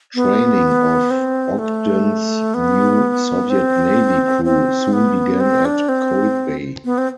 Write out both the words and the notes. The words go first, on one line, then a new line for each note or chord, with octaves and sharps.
Training of "Ogden"s new Soviet Navy crew soon began at Cold Bay.
B3
C4
A3
B3
C4
C4
B3
C4
D4
C4
B3
C4